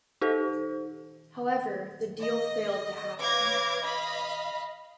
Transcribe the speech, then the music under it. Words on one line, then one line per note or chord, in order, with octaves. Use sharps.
However, the deal failed to happen.
D#4 G4 A4 C5
D#5
B4 C#5 F5 D6 G#6 A#6
D#5 F5 B5